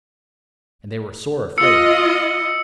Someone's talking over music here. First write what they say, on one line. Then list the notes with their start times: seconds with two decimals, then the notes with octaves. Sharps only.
And they were sore afraid.
1.58 F4 D#5 E6 C#7